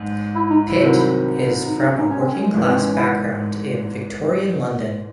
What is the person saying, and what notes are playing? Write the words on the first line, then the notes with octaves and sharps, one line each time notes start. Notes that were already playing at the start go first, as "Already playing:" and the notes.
Pitt is from a working-class background in Victorian London.
Already playing: A1 G#2
E4
D#4
E4
C2 C3 D#3 F#3 C4
D#4
D#4
C#4
D#4
C#4
C4
C#4
G#3
G#1 G#2 E3 G#3 A3
C4
C#4
E4